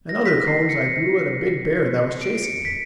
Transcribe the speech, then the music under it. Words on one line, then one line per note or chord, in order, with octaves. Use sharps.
And other cones I threw at a big bear that was chasing me.
A#6
B6
C7
C#7
D7
C#7
B6